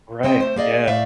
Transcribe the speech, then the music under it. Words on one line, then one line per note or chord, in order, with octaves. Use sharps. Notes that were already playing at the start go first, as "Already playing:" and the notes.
Right. Yeah.
C#3 C4 D#5 G5
A3 C5
A#3 G#4 D5 D#5
A2 D5 E5 F5